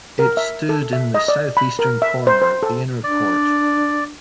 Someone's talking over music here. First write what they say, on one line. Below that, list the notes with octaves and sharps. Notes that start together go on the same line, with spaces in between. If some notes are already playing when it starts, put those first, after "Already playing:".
It stood in the south-eastern corner of the inner court.
A#4
E5
A4
E5
D#5
D5
B5
A#4
E5
C5
C5
A4
D4 D5